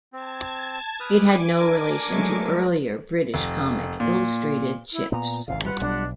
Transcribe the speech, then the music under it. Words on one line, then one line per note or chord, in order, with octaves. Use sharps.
It had no relation to earlier British comic "Illustrated Chips".
C4 A5 G#6
B4 G#5 D6 D#6 F6
D4 A#4
F#3 G#3 A3
F1
A#2
E4
A#2 B3 A#5
G#1 G#2 C3 F5
G3 F4 B4 F#5
B1 D4